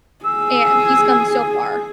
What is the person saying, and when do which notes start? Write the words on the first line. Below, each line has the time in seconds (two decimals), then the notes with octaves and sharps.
And, he's come so far.
0.25 G#4 E6